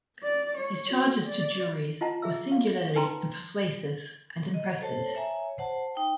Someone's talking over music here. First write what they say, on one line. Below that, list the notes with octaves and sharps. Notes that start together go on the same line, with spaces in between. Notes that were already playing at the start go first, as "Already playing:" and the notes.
His charges to juries were singularly persuasive and impressive.
D5
C#5
F#4
D5
F4 D#5 F#5 A5 A#5
G#4 E5 E6
F5
D#4 B4 G5 A5 A#5 C6
D#5
A4 C5 C#5 A5
C#5 E5 G#5 A#5
C5 F#5 A5
D#4 G5